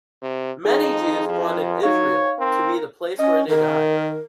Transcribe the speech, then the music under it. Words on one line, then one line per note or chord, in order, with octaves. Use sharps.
Many Jews wanted Israel to be the place where they died.
C3
F2 D#4 G#4
F3
F#3 D#4 C#5 F5
C4 A#4
C#4 D#5
D#3 A#4